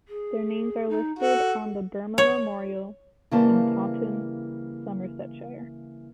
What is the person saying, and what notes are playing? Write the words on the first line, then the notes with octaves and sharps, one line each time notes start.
Their names are listed on the Burma Memorial in Taunton, Somersetshire.
G#4
D#4
F#4 A4
C#5
C#3 E3 G3 A#3 C5 A5